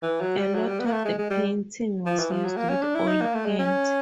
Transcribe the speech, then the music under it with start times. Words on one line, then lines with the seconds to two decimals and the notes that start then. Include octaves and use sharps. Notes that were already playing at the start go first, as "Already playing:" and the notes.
A lot of the painting was used with oil paint.
0.03 E3
0.21 F#3
0.38 G3
0.55 F#3
0.66 G3
0.80 B3
0.86 A#3
0.92 A3
1.05 G#3
1.18 G#3
1.31 G3
2.06 F3
2.19 E3
2.31 F3
2.45 F#3
2.57 A#3
2.70 C#4
2.82 D4
2.95 E4
3.07 D#4
3.21 A#3
3.34 A3
3.46 G#3
3.59 C#4